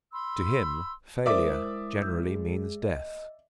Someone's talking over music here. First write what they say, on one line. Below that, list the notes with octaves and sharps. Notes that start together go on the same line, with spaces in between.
To him failure generally means death.
B5 C6 E6
G#3 E4 A#4 C5 D5 E5 D6 D#6
E6 G6
G#3 G#4
D#5